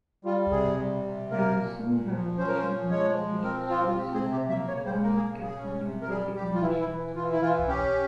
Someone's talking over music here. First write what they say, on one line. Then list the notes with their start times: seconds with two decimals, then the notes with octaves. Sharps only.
There is some variation in published sources over early Caproni designations.
0.25 G3 F4
0.51 C3 G#4
0.78 G3
1.05 C3
1.31 A#3 A#4
1.58 A#2
1.84 A#2
2.11 F3
2.37 C#4 C5
2.48 A#4
2.58 C5
2.64 F3
2.90 G#3 C#5
3.17 F3
3.43 C4 A#4
3.70 F3 F4
3.86 F4
3.96 C4 G4
4.14 G#4
4.23 C3
4.32 G4
4.49 A#3 E5
4.68 C#5
4.76 C#3
4.86 C5
5.03 A#3 A#4
5.16 G#4
5.30 C#3
5.43 G#4
5.56 C#4
5.82 C3
6.02 A#4
6.09 G3 G#4
6.35 G3 G4
6.54 F4
6.61 E3 E4
6.80 E4
6.88 E3
7.15 E3 F4
7.32 E4
7.42 E3 F4
7.68 C#4 G4